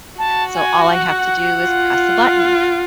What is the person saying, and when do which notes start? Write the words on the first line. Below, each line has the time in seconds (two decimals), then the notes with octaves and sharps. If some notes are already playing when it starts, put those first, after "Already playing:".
so all I have to do is press a button,
0.19 F#4 A5
0.55 G#5
0.91 F#5
1.64 F4